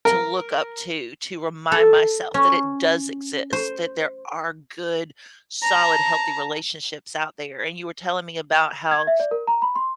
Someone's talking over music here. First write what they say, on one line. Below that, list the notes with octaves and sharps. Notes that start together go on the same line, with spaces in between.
to look up to, to remind myself that it does exist, that there are good, solid, healthy relationships out there. And you were telling me about how
A#4
A4
C#4
C5
A5 A#5
G#6
E5
D5
A#4
A#5
B5
C6